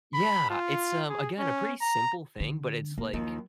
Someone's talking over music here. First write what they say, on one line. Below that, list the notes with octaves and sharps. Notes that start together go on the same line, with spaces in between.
Yeah, it's, um, again, a pretty simple thing, but it's like,
B5
F4
G#4
C#4
A#5
D3
C3 A#3
D#2 D#3 F3 F#3